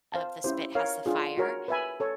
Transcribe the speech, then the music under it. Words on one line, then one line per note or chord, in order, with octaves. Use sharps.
of the spit has the fire,
C5 F5 A5
C#4 E4 G4 C5
A#4 C#5 F5
D4 F4 G#4
F#4 A#4 C#5
B4 E5 G#5 B5
A4 C#5